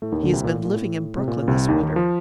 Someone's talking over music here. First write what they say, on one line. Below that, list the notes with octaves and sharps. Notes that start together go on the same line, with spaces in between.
He has been living in Brooklyn this winter.
A2 A3
D#2 D#3
D2 D3
A#2
C2 C3
A#2
A2
A#2
A2
C3
A#2
A#2
C2 C3
D#2 D#3
D#2 D#3
F3